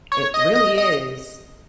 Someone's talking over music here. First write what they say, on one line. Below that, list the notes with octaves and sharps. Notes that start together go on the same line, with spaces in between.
It really is
C#5
D#5
D#5
D#5